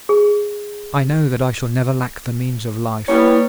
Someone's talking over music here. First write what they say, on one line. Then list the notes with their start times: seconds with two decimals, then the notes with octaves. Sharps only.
"I know that I shall never lack the means of life!"
0.09 G#4
3.08 G3 A#3 B3 E4 C#5